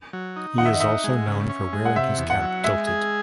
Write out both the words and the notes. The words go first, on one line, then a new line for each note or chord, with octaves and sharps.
He is also known for wearing his cap tilted.
F#3
D#4
D#3 F#5
E5
D#5
D#4 E5
G#3
C#3
C#4
G#3
F#5
C3 E5
E2
F#5
F#3
G#3 E5
G#4